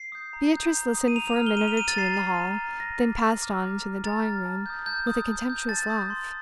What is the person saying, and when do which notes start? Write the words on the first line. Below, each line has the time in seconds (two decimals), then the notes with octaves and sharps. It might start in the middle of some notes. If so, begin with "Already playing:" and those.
Beatrice listened for a minute or two in the hall, then passed on into the drawing-room with a contemptuous laugh.
Already playing: C7
0.12 D#6 G6
0.33 A#5
0.54 D#6 G6
0.75 A#5
0.95 D#6 G6
1.08 D#7
1.16 A#5 F7
1.26 F7
1.36 F6
1.46 G7
1.57 A#5 D#7
1.68 F7
1.77 F6 D#7
1.88 A6
1.98 A#5 C7
2.19 F6
2.40 A#5
2.60 F6
2.80 A#5 A#6
3.01 D6 F6
3.22 A#5
3.42 D6 F6
3.63 A#5
3.83 F6
4.04 A#5 A6
4.25 F6
4.45 A5
4.66 D#6 G6
4.86 A5 G6
5.07 D#6 G6
5.27 A5
5.48 D#6 G6
5.68 A5 A6
5.90 D#6 G6
6.10 C6